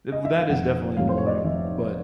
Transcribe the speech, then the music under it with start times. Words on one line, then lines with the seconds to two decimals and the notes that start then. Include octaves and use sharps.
w that is definitely annoying, but
0.12 D#5
0.25 E5
0.37 F5
0.50 F1 F#5
0.97 F2 C3 D#3 F#3 F5
1.09 C5
1.18 C#5
1.27 D5
1.36 D#5
1.44 F1 E5